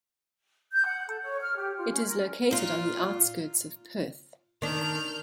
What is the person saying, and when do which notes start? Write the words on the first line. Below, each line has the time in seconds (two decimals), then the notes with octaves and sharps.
It is located on the outskirts of Perth.
0.72 G6
0.84 F#5
1.07 A4
1.22 C#5
1.41 F6
1.56 G4
1.77 F4
1.92 C#4
2.05 A#4
2.51 A#2 F4
4.62 D#3 D4 F6 G6